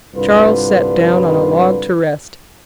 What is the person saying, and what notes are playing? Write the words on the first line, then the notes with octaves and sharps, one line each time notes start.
Charles sat down on a log to rest.
C2 G2 D3 F4 B4